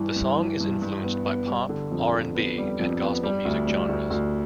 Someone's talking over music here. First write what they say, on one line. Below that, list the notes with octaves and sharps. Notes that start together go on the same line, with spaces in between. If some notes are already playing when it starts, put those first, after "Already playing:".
The song is influenced by pop, R and B and gospel music genres.
Already playing: G2 E3
G2
E3
G2
G2
B3
B3
G3
D3
F2
D3
B3
G3
F2
B3
G3
D2
G3
D2
D2